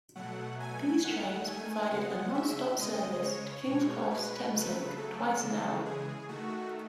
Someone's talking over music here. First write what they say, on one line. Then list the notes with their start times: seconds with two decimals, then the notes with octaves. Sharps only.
These trains provided a non-stop service to King's Cross Thameslink twice an hour.
0.16 B2 F#3 A3 F#5
0.60 G#5
1.03 D#3 A3 F#5
1.48 G#5
1.91 C#3 G#3 F#5
2.34 E5
2.78 C#3 G#3 D#5
3.22 C#5
3.66 B2 G#3 C#5
4.10 B4
4.54 C#3 F#3 A3 B4
4.97 A4
5.41 C#3 E3 G#3
5.86 G#4
6.28 D#3 A3 F#4